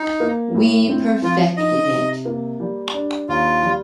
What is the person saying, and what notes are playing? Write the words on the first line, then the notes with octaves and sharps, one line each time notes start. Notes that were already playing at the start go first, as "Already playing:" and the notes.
We perfected it.
Already playing: D#4
A#3
A2
C4
F3 F4
D#4 D#5
C3
A#3
G3
D4
D#2 F4
G3